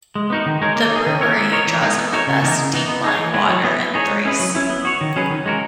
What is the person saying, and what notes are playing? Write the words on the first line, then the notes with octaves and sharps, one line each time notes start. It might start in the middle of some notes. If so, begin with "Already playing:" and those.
The brewery draws on the best deep-lying water in Thrace.
G#3
B3 D#4 F#4 A#4
D#3
G#3 D#4 A#4 C#5
A#3
D#4
G#4
D#3
A#3 E4 A#4 C#5
G#3
B3 D#4 A#4 C#5
E3
G#3 B3 D#4 G#4
B3
D#4 F#4 A#4 C#5
C#3
E3 B3 D#4 A#4
C#3
E3 B3 D#4
B3
D#4 G#4 C#5
E3
G#3 B3 E4 B4
F#3
B3 E4
B3
D#4 G#4 C#5
G#3
C#4 E4 G#4 B4
F#3
C#4 E4
B3
F#4 C#5
D#3
F#3 C#4 G#4 B4
D#3
G#3 C#4 F#4 A#4